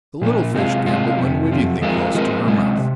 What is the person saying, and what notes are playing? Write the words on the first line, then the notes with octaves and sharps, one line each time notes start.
The little fish gambol unwittingly close to her mouth.
A#2 F3 A#3
C3 G#3 F4
C3 G#3 F4
F2 C3 F3
F2 C3 F3
F3 G#3 C4 F4 A#4
F3 G#3 C4 F4 A#4
C3 G#3 C4
C3